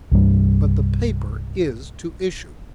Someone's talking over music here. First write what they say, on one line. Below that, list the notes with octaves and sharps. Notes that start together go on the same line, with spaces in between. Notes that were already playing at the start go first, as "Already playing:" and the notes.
But the paper is to issue.'
C2 G2 G3